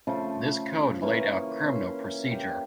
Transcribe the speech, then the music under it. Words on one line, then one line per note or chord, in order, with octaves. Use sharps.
This code laid out criminal procedure.
C#3 F3 A3 C5
E3 A#3 C#5 C#6
C#4 C6
G4